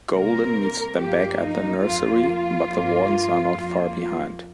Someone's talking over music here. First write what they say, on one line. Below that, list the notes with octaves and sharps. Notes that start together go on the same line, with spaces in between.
Golden meets them back at the nursery, but the Wardens are not far behind.
C3 G3 A#3 A#4
G2 F3 A#3 G4
D#4
F2 F3 A#3 F4
G2 F3 A#3
F2 F3 A#3